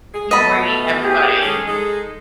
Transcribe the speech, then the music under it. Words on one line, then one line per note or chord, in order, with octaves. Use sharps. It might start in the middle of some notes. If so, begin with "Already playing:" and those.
you bringing everybody.
G#4
B2 A3 B3 A4 D#5 B5
G4 G#4
G#3 C#4 G#4 A4
G#3 D#4 A4